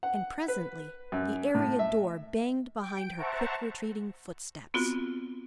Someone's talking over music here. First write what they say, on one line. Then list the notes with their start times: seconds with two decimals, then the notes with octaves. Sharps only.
And presently the area door banged behind her quick-retreating footsteps.
0.03 F#5
0.48 B4
1.12 F#2
1.55 A2
1.79 E5
2.81 G5 D7
3.17 C5 E5 F#5 A5 A#5 C#6
4.74 B3 C4 F4 F#4